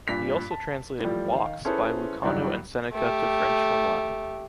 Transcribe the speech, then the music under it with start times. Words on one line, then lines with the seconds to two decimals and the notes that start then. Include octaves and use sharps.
He also translated woks by Lucano and Seneca to French from Latin.
0.07 G2 A#2 B6 F7
0.51 A5
1.00 A2 E3 F3 G3
1.33 D#3 F5
1.65 C#4 E4 G#4 A4 B4 C5
2.22 G2 D#3 E3 F#3 G3 D4
2.92 A3 G4